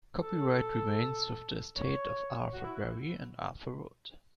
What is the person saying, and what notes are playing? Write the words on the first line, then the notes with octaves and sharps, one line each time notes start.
Copyright remains with the estate of Arthur Berry and Arthur Wood.
A4
C#5
F#4
E4